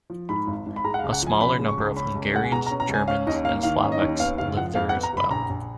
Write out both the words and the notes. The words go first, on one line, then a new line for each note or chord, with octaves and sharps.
A smaller number of Hungarians, Germans and Slovaks lived there as well.
F3
G#2 B5
G#1
G#1
B5
G#3 A#5
F#5
F5
C#2
F#5
F3 G#5
C#3 B5
G#3
C#6
C#2
C#4 B5
C#2
G#3 F#5
G#5
B2 A#5
A#5
C#4
A#5
C#2
G#5
C#4 F5
D#2 D#5
A#3 F5
D#3 F5
C#4
D#5
D#2
B3 F5
F#1 F5
F3 F#5
F2 F5
F#5
B3
A#5
F#1 B5
A#1 A#5
A#1